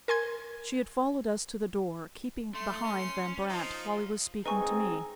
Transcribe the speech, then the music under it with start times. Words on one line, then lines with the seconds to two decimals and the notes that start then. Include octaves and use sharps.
She had followed us to the door, keeping behind Van Brandt while he was speaking to me.
0.08 A#4 G#5 C6 G#6
2.55 A3 C6
2.85 C#4
3.49 F3 D#4 F4
4.46 G#3 C4 D#4 G#4 B4 G#5 C#6